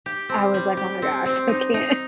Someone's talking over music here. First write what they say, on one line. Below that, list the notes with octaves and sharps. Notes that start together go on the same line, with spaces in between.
I was like, oh my gosh, I can't
G4
C4
G3
G4
C4
C4
D#4
D#4